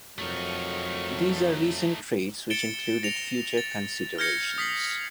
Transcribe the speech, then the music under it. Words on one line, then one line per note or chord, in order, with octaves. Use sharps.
These are recent trades which included "future considerations".
F2 F#3 A3 D#4 A#4 C#6
A6 C#7 D7 E7 G7
A#6 C#7 F7
A6
F6 G6 G#6 A#6 C#7
D#6 B6 C7 F#7